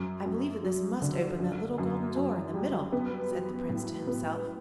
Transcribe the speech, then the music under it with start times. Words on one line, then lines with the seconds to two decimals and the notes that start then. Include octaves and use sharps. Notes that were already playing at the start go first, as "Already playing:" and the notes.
'I believe that this must open that little golden door in the middle,' said the Prince to himself.
Already playing: F#2
0.26 F#2
0.63 F#3
1.02 D3
1.39 F#2
1.78 F#2
2.16 F#2
2.54 G3
2.92 B3
3.31 F#3
3.69 A2
4.07 B3